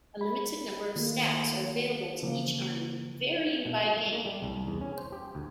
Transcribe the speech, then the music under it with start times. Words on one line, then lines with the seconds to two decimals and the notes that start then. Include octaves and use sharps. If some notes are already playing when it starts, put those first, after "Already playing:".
A limited number of stacks are available to each army, varying by game.
0.21 B5
0.96 D#3 A3 A#3 F4
2.22 C#3 E3 F3 A#3
3.65 B2
3.81 A3
3.97 A3
4.13 A#3
4.26 G3
4.43 C2
4.67 E2
4.81 C#4
4.98 C5
5.12 G4
5.35 D2